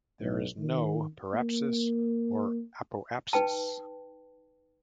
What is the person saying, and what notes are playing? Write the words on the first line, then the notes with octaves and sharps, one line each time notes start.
There is no periapsis or apoapsis.
B1
D#3
A#3
D#4 B4 G5 A5